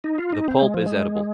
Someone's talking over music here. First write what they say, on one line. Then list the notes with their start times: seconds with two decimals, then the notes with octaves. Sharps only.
The pulp is edible.
0.04 D#4
0.18 F4
0.32 D#4
0.48 C4
0.62 G#3
0.74 F3
0.86 G#3